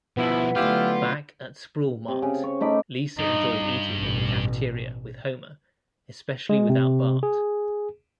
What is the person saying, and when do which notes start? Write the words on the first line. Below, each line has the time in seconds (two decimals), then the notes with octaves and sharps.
Back at Sprawl-Mart, Lisa enjoys eating in the cafeteria with Homer, especially without Bart.
0.17 B2 F3 B3 E4
0.55 D3 F#3 A3 E4 F4 G4 F5
2.08 C3
2.22 C#3
2.44 C#5
2.61 A3 D#4 B5 D6
3.19 G2 D#4
3.98 A1 B2
6.49 G#3
6.69 C3
7.23 G#4